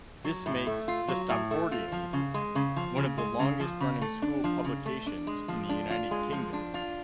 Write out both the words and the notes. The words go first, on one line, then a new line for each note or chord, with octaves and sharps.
This makes "The Stopfordian" one of the longest-running school publications in the United Kingdom.
F#3
A2
A3
F4
F#3
A2
A3
F4
F3
C#3
G#3
C#3
F3
C#3
G#3
C#3
F3
C#3
A3
D4
F3
C#3
A3
D4
G#3
F3
D4
F4
G#3
F3
D4
F4